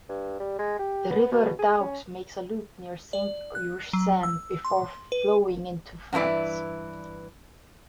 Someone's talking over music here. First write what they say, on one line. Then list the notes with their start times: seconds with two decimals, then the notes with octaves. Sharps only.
The river Doubs makes a loop near Saint-Ursanne before flowing into France.
0.09 G2
0.40 G3
0.59 G#3
0.79 G4
1.10 B3
1.32 B2
1.59 G#4
1.80 C#4
3.13 D5
3.55 F#6
3.93 F#3
4.23 E6
4.65 C6
5.12 B4
6.13 G2 E3 E4 B4 D5